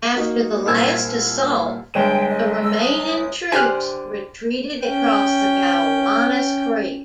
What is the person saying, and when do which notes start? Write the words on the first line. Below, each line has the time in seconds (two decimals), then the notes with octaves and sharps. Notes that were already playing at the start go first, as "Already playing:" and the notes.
After the last assault the remaining troops retreated across the Gowanus Creek.
0.15 A#3 D#4 F#4 D#5
0.65 C2 A#2 C4 A#4 E6 G#6
1.94 G1 G#3 G5 E7
2.28 D#5
2.63 D#5 E6
2.81 D#6
3.52 D3 G4 C5 G#5 F6 F#6
4.84 C#4 G5